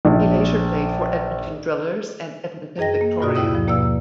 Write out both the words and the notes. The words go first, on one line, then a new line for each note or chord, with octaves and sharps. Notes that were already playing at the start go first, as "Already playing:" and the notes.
He later played for Edmonton Drillers and Edmonton Victoria.
A#1
F#2 G#4 D#5 G5 A#6
A#3
G2 B2 F4 F#4 D5 D#6
D#2 E4 D#6
G2 F3
D#2 B2 A#3 D5 F5 E6